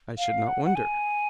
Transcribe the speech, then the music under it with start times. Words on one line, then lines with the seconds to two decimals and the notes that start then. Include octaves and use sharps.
I should not wonder.
0.18 F5
0.47 F#5
0.65 F#5
0.75 G#5